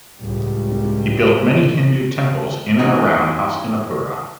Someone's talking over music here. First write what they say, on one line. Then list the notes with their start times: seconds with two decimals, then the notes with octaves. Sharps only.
He built many Hindu temples in and around Hastinapura.
0.17 C#2 A2 G3
2.79 E3 C#4 D#4 F#4